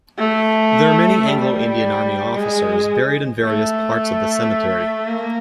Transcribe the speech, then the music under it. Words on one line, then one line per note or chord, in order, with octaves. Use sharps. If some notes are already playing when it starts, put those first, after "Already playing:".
There are many Anglo-Indian Army officers buried in various parts of the cemetery.
A3
G3
G#3
A3
A#3